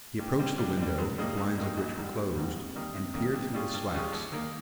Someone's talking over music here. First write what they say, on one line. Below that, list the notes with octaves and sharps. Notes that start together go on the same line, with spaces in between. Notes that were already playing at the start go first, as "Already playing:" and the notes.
He approached the window, the blinds of which were closed, and peered through the slats.
G2
G3 C4
G2
G3 C4
C#2
C#3 G3 A#3 D#4
C#2
C#3 G3 A#3 D#4
A#1
G#2 G3
A#1
G#2 G3
C3
D#3 G3 A#3
C3
D#3 G3 A#3
G2
G3 C#4 F4 G#4
G2
G3 C#4 F4 G#4
D#2
D#3 A#3